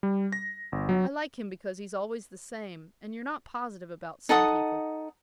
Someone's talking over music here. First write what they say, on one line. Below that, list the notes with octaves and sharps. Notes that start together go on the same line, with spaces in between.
I like him because he's always the same, and you're not positive about some people.
G3
A#6
G1
F#3
D#4 A4 F#5 D#6